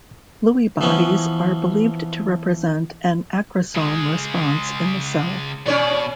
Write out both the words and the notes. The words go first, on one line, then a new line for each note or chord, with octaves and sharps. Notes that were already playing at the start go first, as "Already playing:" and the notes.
Lewy bodies are believed to represent an aggresome response in the cell.
E3 F3 B3 C#4
C#3 G#3
B2 C#4 C#5 D5